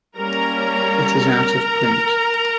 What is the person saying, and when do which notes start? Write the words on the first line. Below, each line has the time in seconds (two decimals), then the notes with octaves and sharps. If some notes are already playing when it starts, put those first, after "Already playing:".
It is out of print.
0.16 G3 A#3 C#4 A#4 A#5